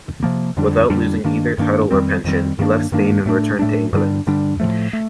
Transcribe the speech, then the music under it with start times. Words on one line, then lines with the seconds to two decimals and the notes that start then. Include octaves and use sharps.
Without losing either title or pension, he left Spain and returned to England.
0.23 C3 F3 A#3
0.57 F2 D3 G3 D4
0.90 F2 D3 G3 D4
1.24 G2 D#3 A#3 D4
1.58 G2 D#3 A#3 D4
1.91 F2 D#3 G3 C4
2.24 F2 D#3 G3 C4
2.59 G2 D#3 A#3 D4
2.92 G2 D#3 A#3 D4
3.26 A2 A3 D4
3.59 A2 A3 D4
3.93 G2 D3 G3 D4
4.27 G2 D3 G3 D4
4.60 A2 F3 A3
4.93 A3